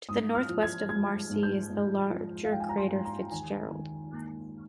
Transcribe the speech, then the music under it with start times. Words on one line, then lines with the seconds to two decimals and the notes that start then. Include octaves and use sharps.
To the northwest of Marci is the larger crater Fitzgerald.
0.09 G#2 D#6
0.35 F6
0.49 F3
0.63 G#6
0.89 G#3 G#6
1.30 G#2
1.43 G6
1.70 G#2
2.10 F3
2.44 F5
2.51 G#3 G5
2.60 G#5
2.69 A#5
2.77 C6
2.91 G#2
3.05 A#5
3.31 D#2 G#5
3.71 D#3
4.12 A#3